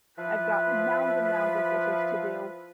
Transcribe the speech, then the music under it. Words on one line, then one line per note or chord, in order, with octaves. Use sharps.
I've got mounds and mounds of dishes to do
F3 E4 B4